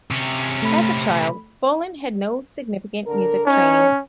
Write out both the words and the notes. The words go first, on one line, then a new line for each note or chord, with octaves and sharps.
As a child, Follin had no significant music training.
C3 C#4
A3 B5
D3 A#4
D2 C#4 D#4 C#5